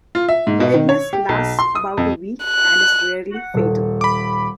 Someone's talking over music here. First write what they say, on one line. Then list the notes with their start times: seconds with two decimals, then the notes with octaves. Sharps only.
The illness lasts about a week and is rarely fatal.
0.15 F4
0.29 E5
0.47 G#2
0.60 B2
0.74 D#3
0.89 C#5
1.13 G4
1.29 B1
1.59 C6
1.75 D#6
1.97 F2
2.45 F#6
3.54 D#1 A4
4.01 B5 D6